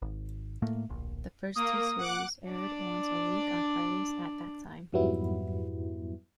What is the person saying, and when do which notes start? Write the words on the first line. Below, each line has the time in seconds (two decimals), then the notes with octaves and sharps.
The first two series aired once a week on Fridays at that time.
0.02 G#1
0.62 A2 A3 A#3
0.89 D1 A#1
1.56 A#3 D#6
1.98 F#5 D6 F#6
2.48 D4 D5
4.93 F2 G#2 F#3 G3 B3 E4